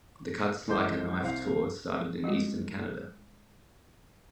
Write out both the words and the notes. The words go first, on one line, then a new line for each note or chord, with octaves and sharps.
The Cuts Like a Knife tour started in eastern Canada.
A1 F#2 G#3 C5 D6 G6
C2 C5 F5
G3 G#3 F4 F#4